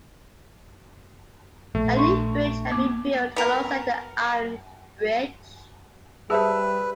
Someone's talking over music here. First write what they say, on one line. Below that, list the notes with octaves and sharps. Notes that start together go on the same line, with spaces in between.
A new bridge had been built alongside the iron bridge.
A#1 A3
D4 C#6
A#3 B3 D6
B3 A#4
G3 G#4 B4 C5 E5 A5 E6